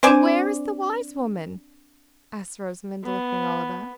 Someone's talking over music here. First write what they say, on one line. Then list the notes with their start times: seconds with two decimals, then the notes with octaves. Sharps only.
"But where is the wise woman?" asked Rosamond, looking all about.
0.03 C4 D4 C5 D5 G#5
3.04 B3